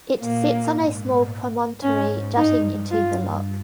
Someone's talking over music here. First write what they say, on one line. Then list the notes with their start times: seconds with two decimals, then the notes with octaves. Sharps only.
It sits on a small promontory jutting into the loch.
0.20 A#2 A#3
0.74 G#2
1.82 G#2 C#4
2.36 G2 D#4
2.91 F4